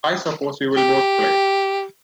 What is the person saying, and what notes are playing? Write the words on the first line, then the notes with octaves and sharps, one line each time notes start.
I suppose you will both play.
G4